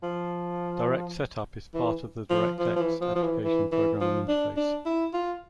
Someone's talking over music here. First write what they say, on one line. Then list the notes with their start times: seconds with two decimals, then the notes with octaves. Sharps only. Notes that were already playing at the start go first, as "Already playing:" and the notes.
DirectSetup is part of the DirectX application programming interface.
0.03 F3
1.74 E3
2.30 F3
2.59 F3
2.76 F3
2.79 E3
3.01 F3
3.16 F3
3.23 E3
3.44 E3
3.72 E3
4.01 F3
4.28 D4
4.57 D4
4.86 E4
5.14 F4